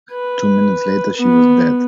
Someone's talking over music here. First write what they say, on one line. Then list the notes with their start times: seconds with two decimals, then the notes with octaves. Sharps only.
Two minutes later she was dead.
0.12 B4
1.17 B3